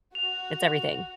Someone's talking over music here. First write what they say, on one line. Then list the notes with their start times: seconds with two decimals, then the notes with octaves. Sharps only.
it's everything.
0.15 F#4 F7